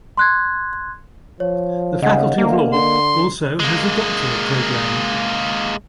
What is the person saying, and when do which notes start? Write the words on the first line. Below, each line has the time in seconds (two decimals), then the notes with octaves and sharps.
The Faculty of law also has a doctoral program.
0.17 C6 F#6 G#6
1.40 F3 C#5
2.02 D#2 C#3 D#5 F#5
2.38 D2 A#3
2.73 D3 C6
3.60 G#3 A#3